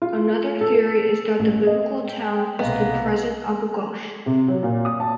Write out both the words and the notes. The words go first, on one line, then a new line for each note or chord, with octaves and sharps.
Another theory is that the biblical town is the present Abu Ghosh.
F4
A4
A1
D#5
G5
B1 C3 A#3 B3 D#5
C3
F#3
A#2
D#6
A5